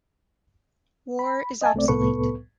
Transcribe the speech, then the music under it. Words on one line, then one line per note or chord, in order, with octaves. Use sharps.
War is obsolete.
B5
D#5 G#5 A5
C2 A3 C4 D5
C2 A2 B3 A4 B4 C#6